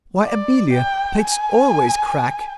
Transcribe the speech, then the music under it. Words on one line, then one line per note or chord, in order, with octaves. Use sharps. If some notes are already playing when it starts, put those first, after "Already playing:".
"Why, Amelia, plaits always crack!"
D5
G5
G#5